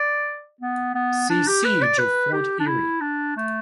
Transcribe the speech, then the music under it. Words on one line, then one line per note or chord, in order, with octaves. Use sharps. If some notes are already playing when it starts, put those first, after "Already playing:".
"See Siege of Fort Erie".
Already playing: D5
B3
B3
D4
G4
B4
D5
B4
G4
D4
E4
D4
A3